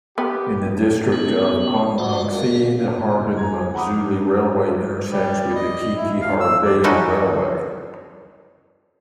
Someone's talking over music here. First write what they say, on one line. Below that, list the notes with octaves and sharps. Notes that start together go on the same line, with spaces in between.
In the district of Ang'angxi, the Harbin-Manzhouli Railway intersects with the Qiqihar-Bei'an Railway.
B3 G4
B3 C#4
F4 F#4 C5 D5 D#5 F#5
F#4 A#4 F5
C#4 F4
F#1
G#5 A#5 G#6
F#5 A#5 B5 D6 D#6
G3
D#5
E4
F5
E6
D5
C#4 D#4 E4 F#4 A4